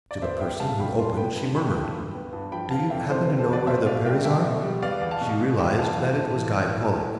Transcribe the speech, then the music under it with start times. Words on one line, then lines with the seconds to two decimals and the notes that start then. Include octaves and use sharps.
To the person who opened she murmured, "Do you happen to know where the Perrys are?" She realized that it was Guy Pollock.
0.11 D5
0.21 B3 C5 E5
0.40 B3 E5 G5
0.60 G3 F5 A5
0.79 B2 G5 B5
0.98 G3 A5 C6
1.17 B3 G5 B5
1.36 G2
1.55 F3 G5 B5
1.75 G2 G5 B5
1.95 G2
2.14 B3
2.33 G2
2.52 F3 G5 B5
2.71 B3 F5 A5
2.90 F2 E5 G5
3.10 C3 A4 C5
3.24 C3 B4
3.38 A4 C5
3.48 F2
3.53 B4 D5
3.67 B2 C5 E5
3.86 B2 D5 F5
4.05 G3 E5 G5
4.24 B2 E5 G5
4.44 B2
4.63 G3
4.82 B3 D5 F5
5.01 E2
5.11 F5 A5
5.21 B2
5.40 B2
5.59 E2 G5 B5
5.78 E2 F5 A5
5.98 E3
6.16 A2
6.35 E3
6.55 E3
6.75 A2
6.93 A3